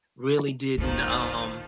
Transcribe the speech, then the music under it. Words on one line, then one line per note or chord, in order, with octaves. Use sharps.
really didn't, um,
D#3 F3 A#3